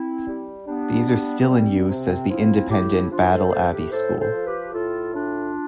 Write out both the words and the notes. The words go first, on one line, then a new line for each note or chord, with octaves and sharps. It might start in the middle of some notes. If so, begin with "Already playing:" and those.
These are still in use as the independent Battle Abbey School.
Already playing: C4 E4
G3
G3 B3 D4
G3
B3
G3 C4
C3 C4
F3 C4 E4
A2 E4 G4
F3 D4 F4
A4 C5
A2 A4 C5
G4 B4
A2 A4 C5
A4 C5
F3
G4 B4
A2 F4 A4
A2 D4 F4